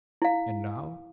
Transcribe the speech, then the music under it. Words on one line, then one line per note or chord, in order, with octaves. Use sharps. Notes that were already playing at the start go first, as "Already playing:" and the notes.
"And now?"
E4 F5